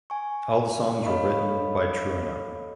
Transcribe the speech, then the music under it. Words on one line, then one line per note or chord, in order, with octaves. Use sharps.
All the songs were written by Trueno.
G#5 C#6
A4 C#5 D#5 F5 B5 C#6